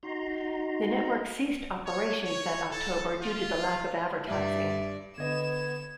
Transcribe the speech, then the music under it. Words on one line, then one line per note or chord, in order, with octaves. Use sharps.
The network ceased operations that October due to the lack of advertising.
D#4 F#4 A#5 C6
C#5
C#5
A4
F4
G2 D5 E5
D3 B3 D#5 G#6 E7